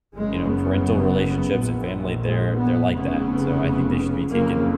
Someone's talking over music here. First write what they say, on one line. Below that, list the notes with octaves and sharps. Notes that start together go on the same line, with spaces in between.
you know, parental relationships and family, they're they're like that, and so I think they should be taken
F#1 F#2 C#3 G#3
B3
A#1 A#2
G#3
B3
F1 F2 C#3 B3
F#1 F2 C#3 A#3